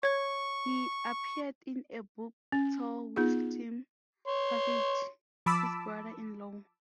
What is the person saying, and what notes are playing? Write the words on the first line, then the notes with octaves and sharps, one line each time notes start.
He appeared in a book tour with Tim Parfitt, his brother-in-law.
C#5 C#6 G#6
C#4
B3 D#4 F4 G#4
C#5 C6
F3 A5 B5 D6 E6